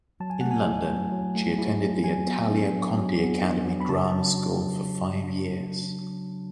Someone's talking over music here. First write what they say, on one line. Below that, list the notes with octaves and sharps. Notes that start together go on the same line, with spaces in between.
In London, she attended the Italia Conti Academy drama school for five years.
F#3 A5
G#5
A3 F#5
G#5
E4
F#3
F#3
A3
E4
F#3
F#3 G#5
B3
D4
F#3
F#3
B3
D4
F#3
B5
C#3 A5
F#3